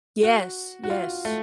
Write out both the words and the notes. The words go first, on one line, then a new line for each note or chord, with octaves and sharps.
Yes, yes.
F#4
F#4
F4
A3